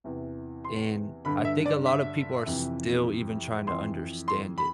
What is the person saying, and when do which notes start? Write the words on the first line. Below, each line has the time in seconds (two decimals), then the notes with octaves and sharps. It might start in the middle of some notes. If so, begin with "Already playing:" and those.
And, I think a lotta people are still even trying to understand it.
0.04 E2 C3 E3
0.65 C6
1.25 G2 D3 B5
1.45 E5
1.66 D5
1.86 E5
2.46 F2 C3 E3
3.67 F2 E3 C6
4.28 C6
4.58 B5